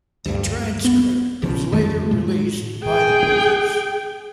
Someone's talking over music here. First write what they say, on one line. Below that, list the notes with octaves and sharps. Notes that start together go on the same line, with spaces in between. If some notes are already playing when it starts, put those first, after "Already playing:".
The transcript was later released by the police.
D2 G2
B3
A#1 C#3 F3
F2 D#3 G3 A3
A2 G#3
G#4 G5